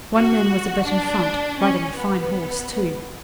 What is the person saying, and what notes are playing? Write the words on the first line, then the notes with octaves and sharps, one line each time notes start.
One man was a bit in front--riding a fine horse, too.
F#4
D4
C#4
B3